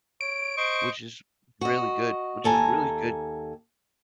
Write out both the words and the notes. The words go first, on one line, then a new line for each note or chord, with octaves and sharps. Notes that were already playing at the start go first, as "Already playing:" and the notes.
which is really good which is really good
C#5 D7
C5 D#5 C#6
F#4 D#5
D#2 A4 G#5 A#5